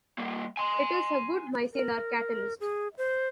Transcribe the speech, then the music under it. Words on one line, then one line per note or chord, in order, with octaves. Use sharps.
It is a good micellar catalyst.
G3 A#3
G#5 C6
A#4
G#4
C5